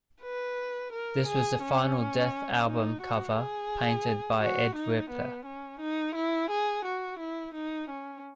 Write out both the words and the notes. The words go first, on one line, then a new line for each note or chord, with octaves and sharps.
This was the final Death album cover painted by Ed Repka.
B4
A#4
G#4
C#4
D#4
F#4
G#4
F#4
D#4
B3
C#4
D#4
E4
G#4
F#4
E4
D#4
C#4